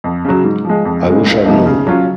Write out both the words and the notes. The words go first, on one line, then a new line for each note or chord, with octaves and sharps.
I wish I knew.
F2
C#3 F#3
G#2
F3 G#3
F2
C#3 G#3
C#2
C3 F3 A#3 D#4
C#3
F#3 C#4 F4